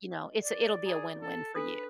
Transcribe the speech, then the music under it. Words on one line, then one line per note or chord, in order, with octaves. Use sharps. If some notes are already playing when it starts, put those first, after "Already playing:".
you know, it's it'll be a win-win for you.
D#5
D5
G#4 A#5 B5
A4
D4 A4 B4 D#6